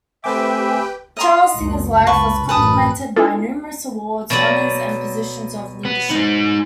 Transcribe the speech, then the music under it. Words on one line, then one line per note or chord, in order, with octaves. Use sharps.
Charles Singer's life was complemented by numerous awards, honors, and positions of leadership.
A3 C4 G4 B4 E5 G5 G#5 D6
D#5 A#5 C6
F#1 C#2
C#2 B4 A5 C#6
A1 F#2 B4 A5 D#6
B3 D4 E4 F4 G#4 A4
B2 F#3 D5
B3
G#3 D#4